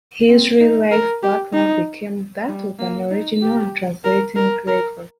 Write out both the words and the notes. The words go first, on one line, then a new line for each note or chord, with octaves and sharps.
His real life-work now became that of an original and translator engraver.
C4
D#4
A#4
G4
D#4
G3
A#3
D#4
G4
A#4
A#4
A#4